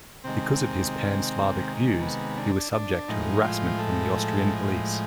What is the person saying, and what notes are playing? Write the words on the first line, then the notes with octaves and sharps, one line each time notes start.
Because of his Pan-Slavic views, he was subject to harassment from the Austrian police.
C3 D#3 G#3 C4
B3
D4
D4
A2 F3 G#3 D#4
F4
A4